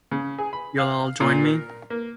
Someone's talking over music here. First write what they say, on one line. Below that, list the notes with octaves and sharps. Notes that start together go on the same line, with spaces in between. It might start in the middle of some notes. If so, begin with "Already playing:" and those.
You'll join me?
C#3
G#4
B5
F5
A#2
A#4
A#3